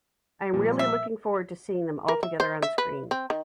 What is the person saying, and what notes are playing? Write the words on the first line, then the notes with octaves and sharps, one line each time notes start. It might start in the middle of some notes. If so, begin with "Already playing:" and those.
I am really looking forward to seeing them all together on screen.
A#2 F3 G3
E5
A#4
E5
C5
E5
B4
C4
D#3